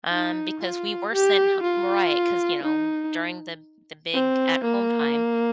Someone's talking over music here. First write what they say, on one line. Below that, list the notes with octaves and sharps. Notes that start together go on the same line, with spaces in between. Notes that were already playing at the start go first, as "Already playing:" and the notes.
um, because we were sent h mo right, 'cause, you know, during the the big at home time,
D#4
F4
G4
F4
D#4
C4
A#3